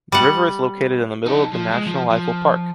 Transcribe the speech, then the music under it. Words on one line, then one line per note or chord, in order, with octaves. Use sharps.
The river is located in the middle of the National Eifel Park.
G3 F#5
D#4 A4
F3
G#3
F3
F3